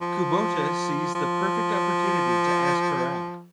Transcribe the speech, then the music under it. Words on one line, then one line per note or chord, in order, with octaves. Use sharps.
Kubota sees the perfect opportunity to ask her out.
F3
F3